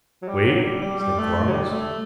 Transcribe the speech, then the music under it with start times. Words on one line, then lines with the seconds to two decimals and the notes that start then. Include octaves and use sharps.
"Wait," said Quarles.
0.22 F#3
0.28 G3
0.45 F#3
0.56 F#3
0.63 G3
0.82 G3
1.00 G3
1.18 A3
1.48 F#3
1.54 G3
1.73 A3